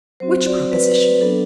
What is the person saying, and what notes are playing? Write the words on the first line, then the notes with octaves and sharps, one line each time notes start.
"Which proposition?"
F#3 C4 F#4 C5
D5
B4
F#3 B3 D4 A4